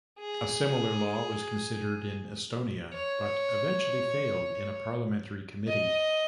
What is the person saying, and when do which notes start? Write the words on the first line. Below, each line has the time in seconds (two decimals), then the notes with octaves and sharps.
A similar law was considered in Estonia, but eventually failed in a parliamentary committee.
0.20 G#4
2.93 C#5
5.67 D#5